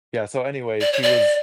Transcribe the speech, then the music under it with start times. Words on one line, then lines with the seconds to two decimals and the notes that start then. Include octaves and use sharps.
Yeah, so anyway, she was
0.81 D5
0.93 C#5
1.03 D5